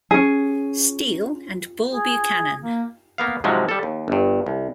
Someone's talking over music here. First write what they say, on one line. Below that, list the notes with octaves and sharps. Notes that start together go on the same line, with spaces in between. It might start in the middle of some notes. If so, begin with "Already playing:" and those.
Steele and Bull Buchanan.
C#4 G#4
G#4
A#3
A#3 B3 F5
G#2 C3 F3 F#3 G#3
G3 A4
D#2
G1 G2
C2